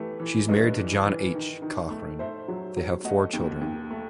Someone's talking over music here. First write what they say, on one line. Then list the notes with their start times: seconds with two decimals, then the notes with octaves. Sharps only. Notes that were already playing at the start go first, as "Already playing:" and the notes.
She is married to John H. Cochrane; they have four children.
Already playing: E3 A3 G4 B4
0.20 E3
0.48 G2 B4 D#5
0.77 E3
1.05 E3
1.35 D#3
1.62 D#3
1.90 A3
2.19 A3 C5 E5
2.48 F#3
2.76 F#3
3.04 A3 D#5 F#5
3.33 D#2
3.61 D#2
3.91 A3